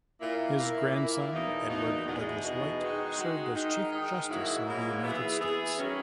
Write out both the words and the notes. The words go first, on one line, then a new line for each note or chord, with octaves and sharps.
His grandson, Edward Douglass White, served as Chief Justice of the United States.
A#2 A#3 E4
A#2 A#3 E4
A#2 A#3 E4
E2 B2 A#3 D#4
E2 B2 A#3 D#4
E2 B2 G#3 D#4 G#4
E2 B2 G#3 D#4 G#4
D#3 G#3 D#4 F#4
D#3 G#3 D#4 F#4
D#3 G#3 D#4
D#3 G#3 D#4
G#2 F#3 A#3 E4
G#2 F#3 A#3 E4
E3 B3 E4 G#4
E3 B3 E4 G#4
D#3 F#3 C#4